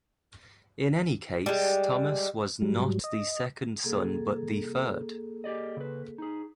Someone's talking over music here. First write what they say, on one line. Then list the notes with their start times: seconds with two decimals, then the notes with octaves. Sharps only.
In any case Thomas was not the second son but the third.
1.46 G3 G#3
2.62 G#2 F#3 G3
3.04 D#5
3.84 C2 A#3 G#4 A4
5.44 G4 D5 D#5
5.77 C#3 B4
6.18 D#4 G#4